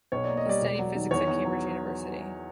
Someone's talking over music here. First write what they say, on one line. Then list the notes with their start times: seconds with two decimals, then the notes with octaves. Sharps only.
He studied physics at Cambridge University.
0.12 B1 C#5
0.24 A#3 D5
0.37 D#5
0.46 G3 D5
0.62 E1
0.79 F#3
0.95 D#3
1.11 E2 C#5
1.28 E2
1.45 F#3